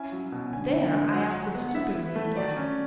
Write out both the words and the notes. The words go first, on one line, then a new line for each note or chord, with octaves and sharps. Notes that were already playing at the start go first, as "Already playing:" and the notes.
There I acted stupidly again.
Already playing: C#4 E4 G#5
F#3
B2
D3 G#5
D3
G#3
F#3 F#5
F#3
B3
F#5
E4 E5
E4
A3
F#3 D5
C#4